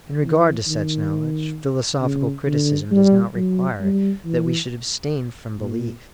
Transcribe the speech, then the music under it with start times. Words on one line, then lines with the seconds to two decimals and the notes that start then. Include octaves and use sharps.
In regard to such knowledge, philosophical criticism does not require that we should abstain from belief.
0.23 E3
0.67 D#3
2.01 C#3
2.46 D3
2.91 G3
3.35 F#3
3.80 G3
4.25 E3
5.59 A#2